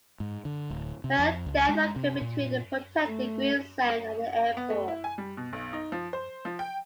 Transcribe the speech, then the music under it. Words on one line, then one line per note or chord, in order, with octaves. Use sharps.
Her death occurred between the protected Green Zone and the airport.
G#2
D3
D1
C3
F2
C#2
G#3
C3
A#2
A3
B3
A3
E4
G#5
G3
B2
B1
D#4
F3
C5
F3
G5